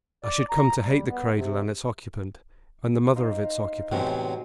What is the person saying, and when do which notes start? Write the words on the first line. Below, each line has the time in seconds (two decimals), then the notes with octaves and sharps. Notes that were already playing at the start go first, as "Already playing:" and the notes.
I should come to hate the cradle and its occupant, and the mother of its occupant.
0.24 D5
0.50 A#5
0.82 G3
1.09 B3
1.34 C3
3.16 D#4 C5 F5
3.92 E2 A2 C3 F#3 G#3 C5